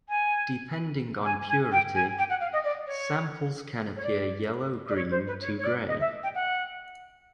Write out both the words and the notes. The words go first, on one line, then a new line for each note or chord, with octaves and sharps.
Depending on purity, samples can appear yellow-green to grey.
G#5
G#5
G#5
G5
G#5
G5
F#5
F5
D#5
D5
C#5
C#5
D5
D5
C#5
C5
B4
C#5
C#5
D5
D#5
E5
G5
F#5